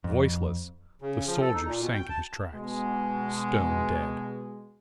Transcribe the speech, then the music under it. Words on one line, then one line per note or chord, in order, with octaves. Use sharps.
Voiceless, the soldier sank in his tracks--stone dead.
F2
C#3
F3
A4
D#4
A#2
B2
G5
A5
B2 G#3